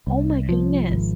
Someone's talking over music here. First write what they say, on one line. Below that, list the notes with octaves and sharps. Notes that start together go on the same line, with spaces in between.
Oh, my goodness.
C2
F3
G#1